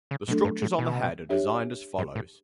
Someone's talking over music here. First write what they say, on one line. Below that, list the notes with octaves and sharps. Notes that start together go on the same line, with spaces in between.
The structures on the head are designed as follows.
C#3
B2 F#3 A3 D4 A4
G2
A2
B2
D4 G4 C#5 E5
G2
A2